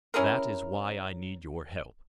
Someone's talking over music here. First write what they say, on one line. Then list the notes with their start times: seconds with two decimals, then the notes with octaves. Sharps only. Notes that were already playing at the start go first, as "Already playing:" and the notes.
That is why I need your help.
0.14 C#4 E4 G#4 A#4